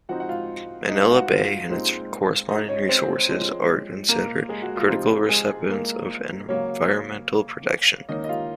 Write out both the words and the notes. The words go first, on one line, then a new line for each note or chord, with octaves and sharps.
Manila Bay and its corresponding resources are considered critical recipients of environmental protection.
F3 C4 D#4 F#4 F#5
F#5
F4 F5
D#4 D#5
F4 F5
F#4 F#5
F4 F5
A#2 G#3 C4 D#4
D#4 D#5
C#4 C#5
C4 C5
F3 G#3 C#4
A#3 A#4
G#3 G#4
F#4
F4
C3 F3 G#3 C4 D#4
G#3 G#4
A#3 A#4
C#3 F#3 A#3 C#4 C#5
D#3 A#3 C#4 D#4 D#5
D#5
F4 F5